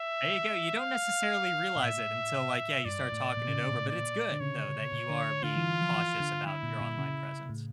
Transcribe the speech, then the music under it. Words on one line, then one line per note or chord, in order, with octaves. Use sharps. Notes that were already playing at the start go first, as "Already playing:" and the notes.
There you go, you don't necessarily realize it until, like, yeah, you start talking it over, but it's good, though, that you are being cautious about your online presence.
Already playing: E5
F5
A#2
A2 E5
G2 D5
A2
A#2
C#3
A#2
A2
A#2 D5
D3
C#3 C#5
A#2
D3
D3 F4
E3
F3
E3
D3
D3 E4
A#2
A#2
C#3
A2